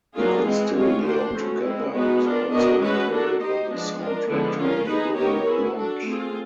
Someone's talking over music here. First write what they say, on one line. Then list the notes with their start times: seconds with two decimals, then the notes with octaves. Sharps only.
"We Could Still Belong Together" was also included on the soundtrack to "Legally Blonde".
0.15 F#3 A#3 D4 F4 G#4
0.45 E3 G#3 C4
0.74 G#3 C4 F4 G#4 C#5
1.04 A#3 D4 G4 C5
1.33 E3 A3 C#4 F#4
1.63 E3 G#3 C4 E4
1.92 G#3 B3 D#4 F#4 B4
2.22 D4 F4 A#4
2.51 B3 D4 F#4 A#4 D#5
2.80 E3 G#3 C#4 F#4 B4
3.10 A#3 D4 F#4 A4
3.40 D#4 G4 C5 D#5
3.69 F3 G#3 B3 D4
3.99 D4 F4 A#4
4.28 D3 F3 G#3 B3 E4
4.57 C#4 F4 A#4
4.87 D#4 G#4 B4
5.16 B3 D#4 G4 A#4 C#5
5.45 B3 E4 G#4
5.75 D4 F#4 A4
6.04 A3 C4 F4 G#4